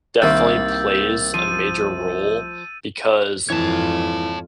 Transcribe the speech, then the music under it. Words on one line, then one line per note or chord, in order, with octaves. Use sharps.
definitely plays a major role because
C2 C3 D#3 A#3 B5 E6 G6 A6
F3 D#7
F2 G#2 E3 F4 C#5 A5